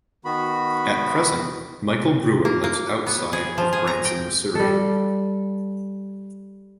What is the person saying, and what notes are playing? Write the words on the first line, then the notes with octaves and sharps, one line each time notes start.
At present, Michael Brewer lives outside of Branson, Missouri.
D#3 B3 F#4 B5
A#3
A#3
B3
G#4
F3
G#4
A#5
G5
G3 A4